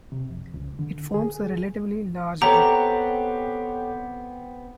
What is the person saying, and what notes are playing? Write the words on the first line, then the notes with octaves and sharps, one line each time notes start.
It forms a relatively large group.
C3
F2
C#2
D3
G#4
B3 C4 G4 A4 C#5 F#5 A#5